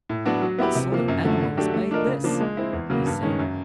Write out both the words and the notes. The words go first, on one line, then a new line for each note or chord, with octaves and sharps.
"What sort of animal has made this?" he said.
A2
F#3 B3 D4 F#4
F#3
B3 E4 G4 B4
C3
F3 A#3
F#2
D3 F3 A3
D3
F#3 A3 D4 G4
A3
D4 F4 A#4 D#5
C#3
F3 A#3 D4 F4
G#3
C4 E4
E2
C#3 F#3 A#3
G2
D#3 G#3 C#4
F#2